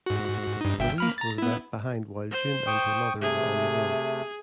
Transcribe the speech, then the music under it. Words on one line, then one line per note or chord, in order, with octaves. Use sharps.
Louise was left behind while June and her mother were on the road.
G#2 F#4
G2 D#4
G1 E5 G5
A#3 B5 F6
A#5 A6
B3 E4
C5
G5 C#6 D#6
C3 A3 G#4